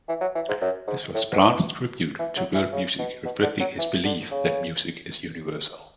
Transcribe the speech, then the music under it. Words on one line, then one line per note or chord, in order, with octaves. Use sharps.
This was Plant's tribute to world music, reflecting his belief that music is universal.
E3
F#3
E3
G#2
F#2
G#2
A2
B2
B2
E3
F#3
E3
C#3
B2
B2
D3
F#3
E3
D3
C#3